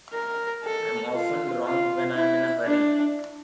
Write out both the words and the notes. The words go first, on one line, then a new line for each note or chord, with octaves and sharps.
I'm often wrong when I'm in a hurry.
A#4
A4
F4
F4
E4
D4